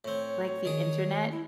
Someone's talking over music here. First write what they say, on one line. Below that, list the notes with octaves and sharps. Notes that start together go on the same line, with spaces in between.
like, the Internet
A2 C4 C#5
D#3 G#4
E4